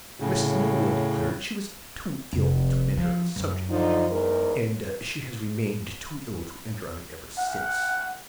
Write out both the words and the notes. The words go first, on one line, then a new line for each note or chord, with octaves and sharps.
Mrs. Milroy declared she was too ill to enter on the subject, and she has remained too ill to enter on it ever since.
A2 C#3
F1
F3
F#2
D3 F3 D#4
E2 G#2 A#4
F#5